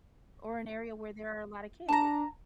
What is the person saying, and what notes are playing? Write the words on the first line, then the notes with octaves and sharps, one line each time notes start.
Or an area where there are a lot of kids?
D4 A5 A#5